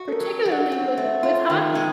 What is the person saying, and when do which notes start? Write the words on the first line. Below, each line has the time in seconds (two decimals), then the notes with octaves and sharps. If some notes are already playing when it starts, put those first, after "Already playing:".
Particularly with with hockey.
Already playing: F#4
0.08 A4
0.12 A#4
0.20 F#3
0.45 F#3
0.52 F#5
0.72 C4 F#5
0.97 A3
1.23 F4
1.49 D#3 G5
1.75 G#3